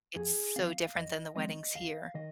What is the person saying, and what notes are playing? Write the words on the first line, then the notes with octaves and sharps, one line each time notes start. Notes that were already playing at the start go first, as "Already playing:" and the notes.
it's so different than the weddings here.
F2 G#4
F3 G#3 C4 F5
F2 D#5
F3 G#3 C4 D#5
D#2 F5
D#3 D#5